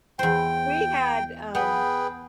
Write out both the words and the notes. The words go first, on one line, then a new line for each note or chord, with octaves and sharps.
We had, um
E2 C5 G5
B3 G#4 B4 G5